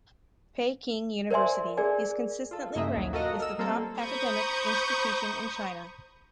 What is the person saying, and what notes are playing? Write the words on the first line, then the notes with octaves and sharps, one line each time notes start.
Peking University is consistently ranked as the top academic institution in China.
A#4 C5 D5 E5 G#5 C6
G#4 A#4 D5 G#5
F4 A4
G2 C#3 A#3 D#5 E5
A#1 D#2 F#3
F#4 A4 A#4 D#5 F5 F#5
A#4 E6
G3 A#3 C4 A4
C5 A#5 B5 C#6 D#6 G6